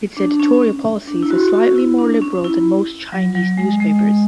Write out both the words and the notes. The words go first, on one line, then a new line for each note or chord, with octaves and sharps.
Its editorial policies are slightly more liberal than most Chinese newspapers.
D4
D4
C#4
D4
E4
F#4
F#4
E4
D4
C#4
E4
F#3
F#3
G#3
G#3